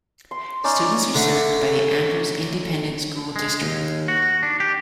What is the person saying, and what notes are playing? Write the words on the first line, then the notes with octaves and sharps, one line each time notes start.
Students are served by the Andrews Independent School District.
C6
C#4 D#4 D5
D3 A3
G#3
D#2
F#4
D4
G4